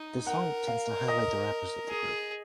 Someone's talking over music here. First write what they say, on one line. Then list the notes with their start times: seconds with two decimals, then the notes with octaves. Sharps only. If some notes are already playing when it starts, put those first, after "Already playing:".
The song intends to highlight the rappers of the group.
Already playing: D#4
0.27 A#4 F#5
0.68 F5
1.08 D#5
1.89 G#4